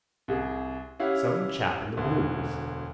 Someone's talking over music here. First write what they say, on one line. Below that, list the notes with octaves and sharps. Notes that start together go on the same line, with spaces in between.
Some chap in the blues.
C2 G#4
C#4 E4 G4 F5 F#5
E1 D2